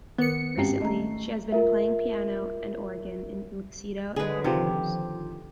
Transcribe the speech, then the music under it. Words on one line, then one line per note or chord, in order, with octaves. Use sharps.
Recently, she has been playing piano and organ in Luxedo and Vera Cruz.
D#3 B3 A#4 C#7
G#1 G#3 C4 C#4 G4 C7
A3 D#5 A#5
F4 A#4 E5
D3 G#3 G#4 B4
C3 D#3 F3 G4